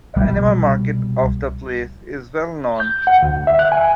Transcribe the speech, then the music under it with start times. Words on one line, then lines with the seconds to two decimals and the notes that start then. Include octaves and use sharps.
The animal market of the place is well known.
0.16 C2 B2 G3
2.80 G6
3.07 F#5
3.22 D2
3.47 E5
3.59 F#6
3.72 G#5